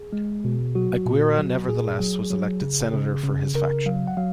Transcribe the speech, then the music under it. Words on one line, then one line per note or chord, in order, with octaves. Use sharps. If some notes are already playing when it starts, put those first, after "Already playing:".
Aguirre nevertheless was elected Senator for his faction.
Already playing: G#4
G#3
B2
F#3 F#4
A#2
F#3
A#2 G#4
F#3
F#3
C#3
C#3
C#3
C#3 A#4
F#3 F5
F#5
F#3 F5